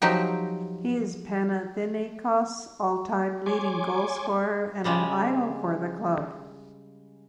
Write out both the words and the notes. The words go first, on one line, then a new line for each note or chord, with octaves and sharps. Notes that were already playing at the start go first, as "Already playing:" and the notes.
He is Panathinaikos' all-time leading goalscorer and an idol for the club.
F3 F#3 D#4 G4
C#5 G#5 C6 D6
C#3 G3 G#3